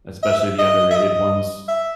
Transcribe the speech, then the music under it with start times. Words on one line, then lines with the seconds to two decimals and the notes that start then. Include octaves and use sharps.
especially the underrated ones.
0.23 E5
0.59 D#5
0.91 E5
0.96 D#5
1.68 E5